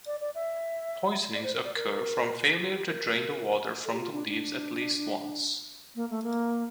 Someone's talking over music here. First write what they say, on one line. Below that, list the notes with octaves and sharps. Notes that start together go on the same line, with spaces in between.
Poisonings occur from failure to drain the water from the leaves at least once.
D5
D5
E5
D5
C5
A#4
D5
A#4
F4
G4
A#4
A4
G4
F4
D4
D4
A#3
A3
A#3